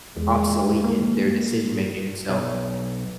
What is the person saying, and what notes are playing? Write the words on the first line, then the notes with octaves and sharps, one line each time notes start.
obsolete in their decision making and so,
E2 G#3
A#3
B1